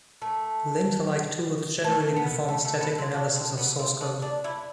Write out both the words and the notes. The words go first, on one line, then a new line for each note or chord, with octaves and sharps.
Lint-like tools generally perform static analysis of source code.
A3
A3
B3
A3
A3
B3
C4
D4
C4
B3
C4
D4
D4
E4